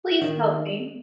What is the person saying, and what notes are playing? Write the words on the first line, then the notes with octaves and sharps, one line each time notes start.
Please help me.
D#3